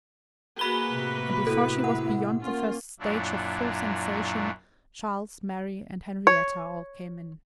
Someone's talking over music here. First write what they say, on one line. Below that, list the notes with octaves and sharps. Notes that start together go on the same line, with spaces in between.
And before she was beyond the first stage of full sensation, Charles, Mary, and Henrietta all came in.
A#3 F#4 G#4 B4 B5 G7
A2 C3
E4 A4
F#5
A#3 C#4 F4
F#2 A#2 F#3 D4 E4 F4
C#5